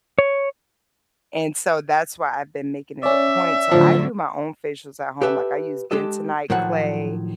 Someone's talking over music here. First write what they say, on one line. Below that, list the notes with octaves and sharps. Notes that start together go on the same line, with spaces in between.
And so that's why I've been making it a point, so I do my own facials at home, like I use bentonite clay
C#5
C#4 D5 E5
A2 D3 F3 F#3
G4 A4 B4 E5
G#3 D4 G4 A4 D#5
A2 D#3 F3 F#3 F#4 F#5